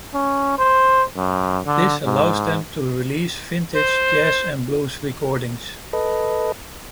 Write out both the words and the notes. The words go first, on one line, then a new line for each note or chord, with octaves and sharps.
This allowed them to release vintage jazz and blues recordings.
C#4
C5
F#2
D3
G#2
C5
A4 B4 D#5